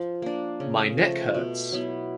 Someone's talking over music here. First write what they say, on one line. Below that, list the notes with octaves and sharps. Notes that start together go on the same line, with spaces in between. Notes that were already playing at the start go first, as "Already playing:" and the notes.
My neck hurts.
Already playing: F3
A#3 D4
C#3
F3 A3
B2
F#3 B3 E4